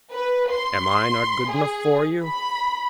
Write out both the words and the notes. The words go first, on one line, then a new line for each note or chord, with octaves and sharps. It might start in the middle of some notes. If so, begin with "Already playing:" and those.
Am I not good enough for you?'
B4
C6
G#4
B5